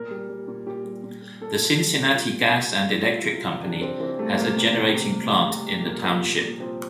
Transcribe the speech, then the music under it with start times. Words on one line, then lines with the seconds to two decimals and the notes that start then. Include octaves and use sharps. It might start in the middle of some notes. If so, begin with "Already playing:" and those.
The Cincinnati Gas and Electric Company has a generating plant in the township.
Already playing: A#2 A#4
0.11 G3
0.29 G3
0.48 A#2
0.67 A#2 G4
0.85 G3
1.04 A#2
1.22 G3
1.41 A#2 A4
1.60 A#2
1.77 G3
1.97 A#2
2.15 A#2 F4
2.33 A#2
2.52 A#2
2.70 G3
2.89 E3 E4
3.03 G3 F4
3.17 E4
3.26 C3
3.44 C3
3.63 C3 D4
3.81 C3 C4
4.00 E3 C4
4.19 G3 A3
4.38 C3 A#3
4.56 C3
4.74 E3
4.93 C3
5.12 G3
5.30 E3
5.49 C3
5.68 G3
5.85 A#2 A#3
6.04 F3
6.23 A#2
6.41 A#2
6.60 F3 C4